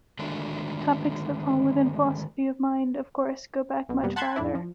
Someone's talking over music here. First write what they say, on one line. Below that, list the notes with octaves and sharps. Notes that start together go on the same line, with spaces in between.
Topics that fall within philosophy of mind, of course, go back much farther.
D3 D#3 G#3 A3 D4 F#4
B1 B2
F#2 C3 G3 A#3 B3
F#5 A5 B5 C6 F#6 G#6
F2 A2 D4 E4
F3